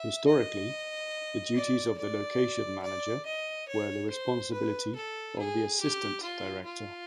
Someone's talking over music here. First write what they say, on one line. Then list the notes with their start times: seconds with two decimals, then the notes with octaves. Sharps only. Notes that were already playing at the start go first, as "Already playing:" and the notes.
Historically, the duties of the Location Manager were the responsibility of the Assistant Director.
Already playing: E5
0.27 D#5
1.55 D5
1.98 D5
2.82 D5
3.25 D#5
3.68 C#5
4.09 C5
4.52 B4
4.95 A4
5.38 G#4
5.81 G4
6.22 F4
6.65 F4